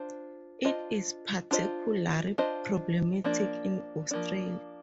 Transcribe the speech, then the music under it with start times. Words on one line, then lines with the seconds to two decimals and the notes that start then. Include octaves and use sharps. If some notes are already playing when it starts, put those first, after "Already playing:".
It is particularly problematic in Australia.
Already playing: D4 F4 C5
0.65 D4 F4 C5 D#5
1.51 D4 F4 C5 D#5
2.38 D4 F4 C5 D#5
3.24 F3 A#3 D4
4.11 F3 A#3 D4